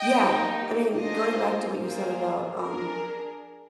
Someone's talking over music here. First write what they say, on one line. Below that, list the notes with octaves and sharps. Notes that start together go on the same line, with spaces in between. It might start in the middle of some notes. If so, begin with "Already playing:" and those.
yeah, I mean, going back to what you said about, um,
Already playing: D#5 G5
A#3 D#4 G4
D4 F4 G#4 C5 D#5
A#3 F4 G#4 C5
D4 G#4 A#4